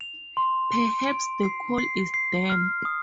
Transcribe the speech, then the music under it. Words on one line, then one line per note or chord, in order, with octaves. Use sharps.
Perhaps the coal is damp.
F7
C6
C6
D7
C7
C7
C7
F6
D#6